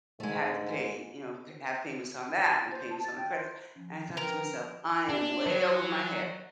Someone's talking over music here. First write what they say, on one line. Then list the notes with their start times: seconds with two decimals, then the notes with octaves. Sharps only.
had to pay, you know, p have payments on that, and the payments on the credit ca and I thought to myself, "I am way over my head."
0.20 G#2 G#3 A3
2.52 A6
2.71 C5
2.90 A5
3.03 A6
3.17 G5
3.33 C5
3.76 F3 C#4
4.17 A#4 B4 G5
5.09 D4
5.47 F#3